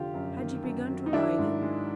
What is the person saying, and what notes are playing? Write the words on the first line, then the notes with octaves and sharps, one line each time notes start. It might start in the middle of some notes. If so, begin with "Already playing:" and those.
Had you begun to write it?
Already playing: F1 D3 F3 F4 G4
F#2
D#3
F#2
F#3
D#4
D#3 D4 E4
G#2
G#3